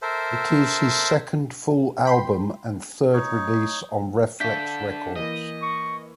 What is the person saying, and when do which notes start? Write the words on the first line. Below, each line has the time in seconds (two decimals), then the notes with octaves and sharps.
It is his second full album and third release on Rephlex Records.
0.02 A4 A#4 C5 E5
2.05 G5 B5 C6
3.13 D#4 C#5
4.40 D4 A4 E5 F5 C#6 G6 B6
5.16 E3 A#3 D#5
5.62 C#6